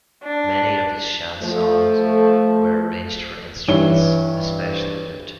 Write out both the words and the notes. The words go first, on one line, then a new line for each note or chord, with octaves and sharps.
Many of his "chansons" were arranged for instruments, especially lute.
D4
F3 A3
G2 E3 C#5 G7